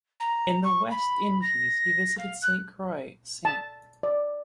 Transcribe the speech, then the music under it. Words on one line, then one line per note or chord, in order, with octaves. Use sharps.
In the West Indies, he visited Saint Croix, Saint.
A#5
C#6
B5
A#6
F5
F#6
A5
D5